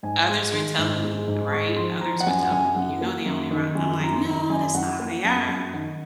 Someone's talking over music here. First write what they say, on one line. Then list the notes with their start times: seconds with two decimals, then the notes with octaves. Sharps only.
Others were telling me, th right? Others were telling me, "You know they only rot" And I'm like, "No, that's not how they are."
0.03 G#2 G#5
0.28 G#3 C6
0.53 D#3 C6
0.78 G#2
1.02 G#3
1.28 G#2
1.52 G#3 C#6
1.76 F3 C6
2.01 F3 A#5
2.20 F#5
2.27 F#2 G#5
2.43 F#5
2.51 F#2 G#5
2.76 F#2 F#5
3.01 A#3
3.26 F#2
3.51 D#3
3.75 F#2 G#5
4.00 F#2 A#5
4.13 C6
4.25 D#3
4.31 A#5
4.50 F#2 G#5
4.74 F#2 F#5
4.99 A#3 F#5
5.24 F#2
5.49 F#2
5.73 D#3